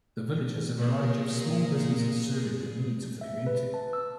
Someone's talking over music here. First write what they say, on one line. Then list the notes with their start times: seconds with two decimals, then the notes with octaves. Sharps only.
The village has a variety of small businesses serving the needs of the community.
0.78 A#2 A#3 G#4
3.21 E5
3.47 B4
3.74 A5
3.93 E6